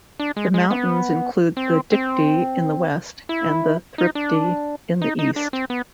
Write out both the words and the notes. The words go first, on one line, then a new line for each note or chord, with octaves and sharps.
The mountains include the Dikti in the west and the Thrypti in the east.
D4
G#3
G#3
B3
C4
C4
E4
D#4
D4
D#4
D#4
D4
C4
B3